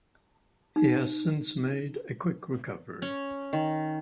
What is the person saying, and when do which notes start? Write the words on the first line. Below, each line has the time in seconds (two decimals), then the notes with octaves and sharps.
He has since made a quick recovery.
0.76 D#4
3.02 C#4
3.53 D#3